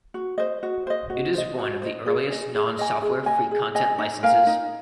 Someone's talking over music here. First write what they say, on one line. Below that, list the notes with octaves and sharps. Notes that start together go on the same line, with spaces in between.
It is one of the earliest non-software free content licenses.
F#4
C5 D#5
F#4
C5 D#5
F#4
C5 D#5
F#4
C5 D#5
G#4
D#5 G#5
G#4
D#5 G#5
G#4
D#5 G#5
G#4
D#5 G#5
D#4
A#4 F5 G#5
D#4